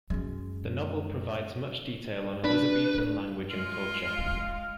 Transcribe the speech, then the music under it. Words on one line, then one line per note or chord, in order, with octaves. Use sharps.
The novel provides much detail on Elizabethan language and culture.
F#2 G#3
D4 B4
G#3 F4
F5